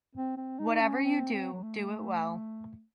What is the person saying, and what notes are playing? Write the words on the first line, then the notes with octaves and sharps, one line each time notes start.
Whatever you do, do it well.
C4
C4
D#4
C#4
C4
C4
F#3
A3